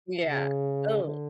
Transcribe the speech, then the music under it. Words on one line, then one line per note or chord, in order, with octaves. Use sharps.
Yeah, oh.
C#3
D3